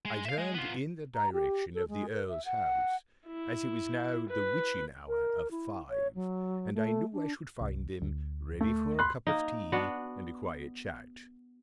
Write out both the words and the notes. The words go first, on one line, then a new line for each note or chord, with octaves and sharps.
I turned in the direction of the Earl's house, as it was now 'the witching hour' of five, and I knew I should find them ready for a cup of tea and a quiet chat.
G#3
E5 F5
G#3
B3 F4
A#5
G4
A4
G#3
A#4
E5
F#5
E4
B4
A#4
E4
C#5
F#3
A3
D4
C2
D2
A3
B5 C6 F#6
A#3 D#4
B3 D4 F#4